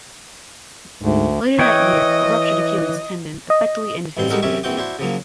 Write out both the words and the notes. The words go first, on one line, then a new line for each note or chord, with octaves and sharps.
Later that year, a ruptured Achilles tendon effectively ended his career.
D2 G#2
E3 C#5 D#5 G5
D#5
A1 G2 B2 C4 C6
G3 G#3 D#4 F#4 A4 A#4
F#2 C3 C#4 E5 C#6 D6
A#1 E3 C4 F#4 G5 D6
D4 E4 F#4 C5
C#3 F3 F#3 A#3